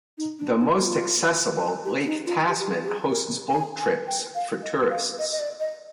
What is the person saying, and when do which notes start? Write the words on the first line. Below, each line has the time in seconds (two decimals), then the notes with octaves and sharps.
The most accessible, Lake Tasman, hosts boat trips for tourists.
0.18 D#4
0.39 D4
0.59 D#4
0.81 F4
1.85 G4
2.06 D#4
2.26 F4
2.47 G4
2.59 G4
2.68 G#4
2.84 G4
2.89 G#4
3.10 A#4
3.52 G#5
3.80 G#5
4.07 G5
4.35 F5
4.63 D#5
4.91 F5
5.19 D#5
5.32 D#5
5.39 D5
5.60 D#5